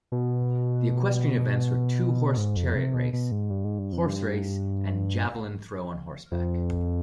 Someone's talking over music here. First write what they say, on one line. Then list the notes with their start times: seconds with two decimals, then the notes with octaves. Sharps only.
The equestrian events were two-horse chariot race, horse race, and javelin throw on horseback.
0.12 B2
2.37 G#2
2.57 F2
2.75 C3
2.94 B2
3.13 B2
3.32 G#2
3.50 G2
3.64 G#2
3.79 G2
3.93 F2
4.07 G2
6.32 F2